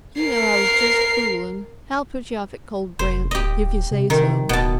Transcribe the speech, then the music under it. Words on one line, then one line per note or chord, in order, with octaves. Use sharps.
"You know I was just fooling. I'll put you off at Cold Branch, if you say so."
A#4 C7
F1 C5
D1 G4 D#5
C3
C3 D#3
D1 B2 A5